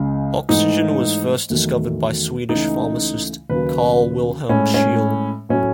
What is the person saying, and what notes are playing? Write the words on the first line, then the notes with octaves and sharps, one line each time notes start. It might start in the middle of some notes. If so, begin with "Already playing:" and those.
Oxygen was first discovered by Swedish pharmacist Carl Wilhelm Scheele.
Already playing: C#2 C#3 G#3
G#2 E3 A3 D#4
E2 D#3 F#3 A3
C#2 C#3 E3 A3 D#4
D#2 C#3 F#3 B4
A2 G#3 C#4
C#4
A2 F#3 A3 C#4